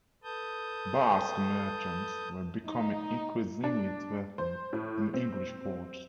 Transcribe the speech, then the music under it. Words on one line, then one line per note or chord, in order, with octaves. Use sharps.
Basque merchants were becoming increasingly threatened in English ports.
A4 B4 A5 D#6 G6
D#4
D4
C5
A2
C4